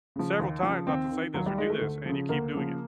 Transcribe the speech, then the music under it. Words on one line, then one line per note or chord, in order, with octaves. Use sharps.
"several times not to say this or do this, and you keep doing it."
C#3 F3
D#2
C#3 F3
D#2 C4
D#3
D#2 F#3
G3
D#3 G#3
A3
D2
C#3 F3
D2 A#3
C#3 F3